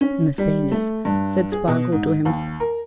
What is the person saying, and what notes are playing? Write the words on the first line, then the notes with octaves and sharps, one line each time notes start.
"Miss Baylis," said Spargo to himself.
C#4
G3
A3
G2
G#4
B2
G#2
D#2
A#4